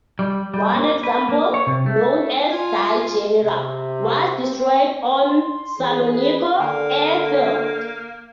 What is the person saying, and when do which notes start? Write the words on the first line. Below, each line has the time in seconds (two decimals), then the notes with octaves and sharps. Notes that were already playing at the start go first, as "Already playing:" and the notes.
One example, known as "Die General", was destroyed on Salonicco airfield.
0.19 G3
0.54 G3
0.75 A#3
1.03 B4
1.29 A#3
1.54 C#5
1.67 C3
1.86 A3
2.50 F4 G#5
3.43 C3
4.40 C4
5.26 C6
5.80 E3 G#4
6.13 B4
6.60 D3 A#3